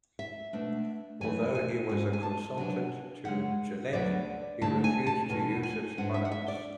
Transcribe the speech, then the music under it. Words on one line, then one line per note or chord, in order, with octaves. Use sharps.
Although he was a consultant to Gillette, he refused to use its products.
E5
B2 A3 D4
F#2 C#3 E3 A3 G#5
G#5
G#2 G#3 C#4 G#5
G#5
A5
C#3 F#3 B3 D4 G#5
F#2 C#3 G#3 F#5
D2 D3 F#3 B3 D5
D2 D3 A3 D4 A5
G#5
A5
E2 B2 A3 D4 G#5
G#5
G#2 G#3 B3 D4 F#5
E5
F#5
E5
D5